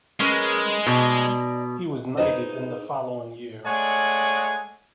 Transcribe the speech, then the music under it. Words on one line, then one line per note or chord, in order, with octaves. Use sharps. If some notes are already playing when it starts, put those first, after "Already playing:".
He was knighted in the following year.
G#3 C#4 A#4 B4
B2 D#4 D5
D#4 G#4 B4 C5 D#5
G#3 A3 C#5 D5 F#5 G#5